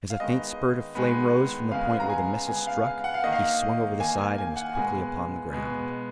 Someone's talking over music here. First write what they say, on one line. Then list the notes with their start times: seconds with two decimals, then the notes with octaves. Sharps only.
As a faint spurt of flame rose from the point where the missile struck he swung over the side and was quickly upon the ground.
0.10 F5
0.20 D#3 G#3 B3 D#5
0.95 D#3 G#3 B3
1.72 C#3 G#3 B3 F5
2.00 A#5
2.10 G#5
2.48 C#3 G#3 B3 G#5
2.67 F5
2.86 F5
3.04 F#5
3.14 F5
3.23 D#3 A#3 D#5
3.33 F5
4.00 D#3 A#3 G#5
4.18 G#5
4.38 G#5
4.56 F#5
4.75 B2 G#3 B3 G#5
5.52 B2 G#3 B3